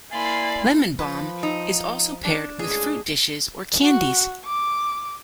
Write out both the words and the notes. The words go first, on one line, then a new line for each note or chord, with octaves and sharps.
Lemon balm is also paired with fruit dishes or candies.
A#3 E4 A#4 D5 F5 G#5 B5 C6
F3 B4
D#4
D4
C#2 A2 G#3 G#4
F#4
D6